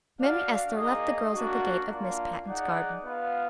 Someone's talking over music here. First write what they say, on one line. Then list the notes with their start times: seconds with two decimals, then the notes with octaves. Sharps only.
Mammy Esther left the girls at the gate of Miss Patten's garden.
0.20 D4 F#4 D5 F5
0.76 A#3 D#4 G#4 D#5
1.33 A#3 D4 F#4
1.90 A#3 D4 F4
2.46 D#4 G#4 D5 F#5
3.02 B3 F4 B4 F5